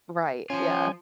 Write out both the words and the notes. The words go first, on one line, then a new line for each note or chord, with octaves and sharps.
Right, yeah.
F3 C#4 F4 G#5